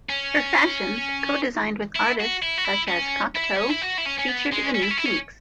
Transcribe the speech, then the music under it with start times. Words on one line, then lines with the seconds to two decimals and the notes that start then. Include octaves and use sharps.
Her fashions, co-designed with artists such as Cocteau, featured the new pinks.
0.09 C#4
1.95 E4
2.20 F#4
2.43 E4
2.58 F#4
2.65 E4
2.88 C#4
3.36 E4
3.57 C#4
3.69 E4
3.82 F#4
3.98 E4
4.05 C#4
4.18 C#4
4.28 B3
4.52 G#3
4.75 C#4
4.82 E4
4.91 C#4
4.97 E4
5.05 C#4